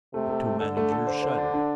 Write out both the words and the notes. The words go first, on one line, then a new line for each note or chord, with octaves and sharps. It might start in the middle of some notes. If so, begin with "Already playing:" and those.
The two managers shuddered.
C3 A3
A3
A3
D3 A4
A3
A4
C5
C5
D4
D4